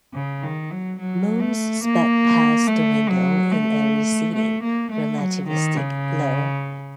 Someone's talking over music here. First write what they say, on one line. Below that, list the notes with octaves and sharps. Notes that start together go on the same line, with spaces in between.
Moons sped past the window in a receding, relativistic blur.
C#3
D#3
F#3
F#3
A3
A#3
A3
F#3
A3
A3
A#3
A3
F#3
D#3
C#3